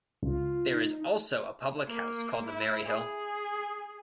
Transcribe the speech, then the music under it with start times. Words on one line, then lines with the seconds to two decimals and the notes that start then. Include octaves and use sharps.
There is also a Public house called the Merry Hill.
0.22 C#2 F4
0.68 D#4
1.87 A#3
2.47 E4
2.86 G#4